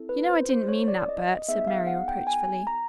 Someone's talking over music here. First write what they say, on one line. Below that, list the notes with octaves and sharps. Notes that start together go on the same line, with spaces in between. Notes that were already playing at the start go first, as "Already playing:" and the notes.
"You know I didn't mean that, Bert," said Mary reproachfully.
Already playing: C4 E4 A4
B4
C5
C5
C#5
D5
D#5
D#5
B3 D#4 G#4 E5
F5
F#5
G5
G#5
A#5